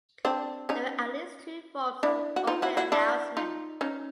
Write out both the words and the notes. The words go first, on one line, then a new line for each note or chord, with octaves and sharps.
There were at least two forms of the opening announcement.
C4 D4
C#4 D#4
D4 E4
F#4
D#4 F4
E4 F#4
E4 F#4
D4 E4
D#4 F4
C#4 D#4